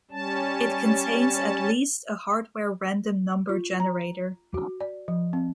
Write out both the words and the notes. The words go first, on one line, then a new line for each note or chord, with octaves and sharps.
It contains at least a hardware random number generator.
G3 C#4 A5
F4
A#5
F#4
D5
F3
C4